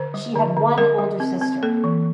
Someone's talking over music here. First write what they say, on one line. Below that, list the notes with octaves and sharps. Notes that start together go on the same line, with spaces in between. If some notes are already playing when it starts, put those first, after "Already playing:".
She had one older sister.
Already playing: D3 C5
G3
D3
D3
G3 A#4
G3
C4
C4
A#3 A4
E3